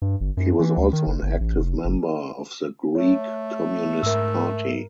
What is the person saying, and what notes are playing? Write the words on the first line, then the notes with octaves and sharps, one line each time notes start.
He was also an active member of the Greek Communist Party.
G2
G1
F#2
E3
D2
D#3
F#1
G1
A1
F1
F#1
A3 C#5
G#2 A#4 E5 E6